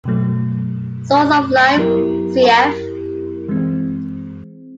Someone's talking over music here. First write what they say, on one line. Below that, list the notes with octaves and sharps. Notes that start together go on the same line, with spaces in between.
"Source of Life", cf.
B2 F#3 A3
F#3 B3 E4 G4 A#4
E3 G#3 C4